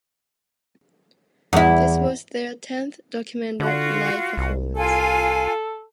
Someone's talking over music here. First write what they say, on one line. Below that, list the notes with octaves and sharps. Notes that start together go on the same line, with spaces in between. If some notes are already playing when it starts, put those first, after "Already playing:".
This was their tenth documented live performance.
E2 E4
D3 F4 F#4
C2
F4 A4 G#5